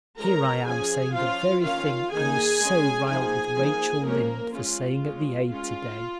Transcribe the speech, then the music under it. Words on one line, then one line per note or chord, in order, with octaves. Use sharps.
Here I am saying the very thing I was so riled with Rachel Lynde for saying at the Aid today.
F3 G#3 C#4 A#4 A#5
F3 C#4 G#4 G#5
F3 C#4 F4 F5
D#3 C#4 F4 F5
D#3 A#3 D#4 G#4 G#5
G#3 C#4
F3 A#3 D#4 G#4 G#5
F3 A#3 D#4
F3 G#3 A#3 C#4 A#4
G#3 C#4 F4
G#3 C#4
G#3 C#4 F4